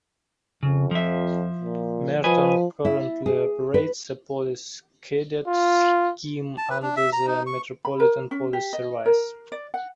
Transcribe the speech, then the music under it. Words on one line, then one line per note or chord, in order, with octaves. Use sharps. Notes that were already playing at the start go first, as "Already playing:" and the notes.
Merton currently operates a Police Cadet scheme under the Metropolitan Police Service.
F2 C#3
F3 E5
A#2
F3 B4 D#5 G#5
E4
G#4
B4
F4
A5
B4
D4
E5
A#5
D#4
C#6
B5
A#4
C#4
G4
D#5
A#4
D5
F#5